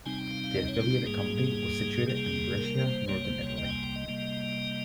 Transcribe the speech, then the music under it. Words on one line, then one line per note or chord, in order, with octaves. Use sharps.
The affiliated company was situated in Brescia, Northern Italy.
C3 G3 C4 D#4 G#5
G5
F5
F5
D#5
C#5
F4
G4
G#2 G3 A#3 G#4
C3 G3 A#3
A#4
C5
C2 C3 G3 A#3 C#5
C5
C#5
D#5
G5
G#5
G5
D#5
C3 G3 A#3